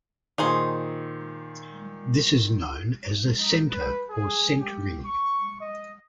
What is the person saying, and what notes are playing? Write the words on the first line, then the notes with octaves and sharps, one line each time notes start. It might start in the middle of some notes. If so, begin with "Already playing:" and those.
This is known as a centre or centring.
A#2 D#3 D#4 G#4 C5
D#4
B4
G#4
G4
C#6
D#5